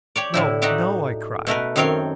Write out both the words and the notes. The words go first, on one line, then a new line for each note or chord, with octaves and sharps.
"No, no!" I cried.
G4 C#5 D5
A2 D3 E4
D#4 F#4 G4 D5 E5
B2 A3 A#4 B4
F#2 D#3 C4 C#5 F5 G5